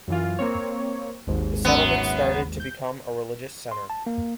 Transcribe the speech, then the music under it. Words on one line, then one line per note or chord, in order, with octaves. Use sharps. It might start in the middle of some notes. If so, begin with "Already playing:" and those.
The settlement started to become a religious centre.
F#2 E3 F4
A#3 C4 C#5
G#1 D#2 G#2
F#2 B3
G6
C6
A5
A#3